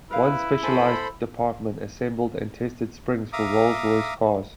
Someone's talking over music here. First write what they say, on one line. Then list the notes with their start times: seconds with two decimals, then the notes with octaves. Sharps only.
One specialised department assembled and tested springs for Rolls-Royce cars.
0.11 E4 A#4 B4 F5
0.63 A4 C5 G#5 A5 B5
3.33 E5 F5 A#5 D6 D#6